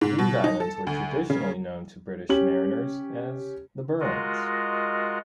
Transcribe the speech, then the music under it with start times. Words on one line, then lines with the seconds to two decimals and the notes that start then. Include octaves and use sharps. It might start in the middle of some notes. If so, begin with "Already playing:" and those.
These islands were traditionally known to British mariners as "the Burlings".
0.01 G#2
0.19 B2
0.44 D#4
0.60 A4
0.87 D2
1.30 C#3
2.29 C#4 G4 F#7
4.00 G#3 F4 F#4 A#4 D#5